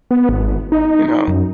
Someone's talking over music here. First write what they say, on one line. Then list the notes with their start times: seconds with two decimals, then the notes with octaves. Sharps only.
you know.
0.11 B3
0.29 G#1
0.72 D#4
1.28 F#2